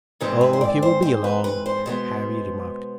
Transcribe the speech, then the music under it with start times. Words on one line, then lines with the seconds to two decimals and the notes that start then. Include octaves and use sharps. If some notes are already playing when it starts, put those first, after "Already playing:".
"Oh, he will be along," Harry remarked.
0.21 G#2 E3 G#3 C4 B4
0.41 B4
0.53 C5
0.61 D5
0.83 C5
1.02 C5
1.24 B4
1.44 B4
1.66 C5
1.85 B2 G#3 B3 C5